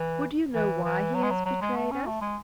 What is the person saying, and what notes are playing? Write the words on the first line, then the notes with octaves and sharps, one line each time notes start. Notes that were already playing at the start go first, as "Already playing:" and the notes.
Would you know why he has betrayed us?
Already playing: E3
E3
E3
F#3
G#3
F#3
F#3
G#3
A3
C#4
A3
G#3